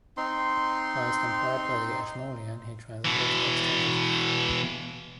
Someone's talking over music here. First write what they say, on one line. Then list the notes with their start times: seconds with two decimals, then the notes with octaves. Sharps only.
Whilst employed by the Ashmolean he travelled extensively.
0.17 C4 D#4 C6
3.05 B2 E3